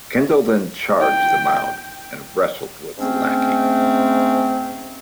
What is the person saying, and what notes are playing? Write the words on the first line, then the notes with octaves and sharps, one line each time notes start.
Kendall then charged the mound and wrestled with the Lackey.
G5
G#2 A3 C4 C#4